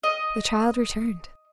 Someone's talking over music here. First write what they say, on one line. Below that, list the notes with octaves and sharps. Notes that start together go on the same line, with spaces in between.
The child returned.
D#5